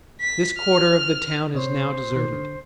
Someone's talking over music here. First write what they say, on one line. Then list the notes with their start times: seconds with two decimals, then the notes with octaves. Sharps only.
This quarter of the town is now deserted.
0.20 B6
0.59 F6
1.55 C3 C5 C#5
2.12 B2 D#3
2.32 D3